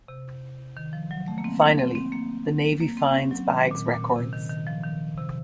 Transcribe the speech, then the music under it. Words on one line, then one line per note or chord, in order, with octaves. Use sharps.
Finally the Navy finds Baggs' records.
C3
D#3
F3
F#3
A3
A#3
C4
A#3
C4
C4
A#3
A#3
C4
C#4
C4
F#3
D#3
A#2
A#2
C3
D#3
D#3
F3
D#3
C3